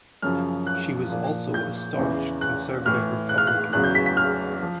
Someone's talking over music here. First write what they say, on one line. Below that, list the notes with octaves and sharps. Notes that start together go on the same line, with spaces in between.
She was also a staunch conservative Republican.
F#2 C#3 F3 F6
F#6
A#2 F3
G6
E2 C#3 E3
F#6
A2 E3 F6
F#6
F6
F#6
E2 C#3 F#3 F#6
G6
B6
B6
F6
F3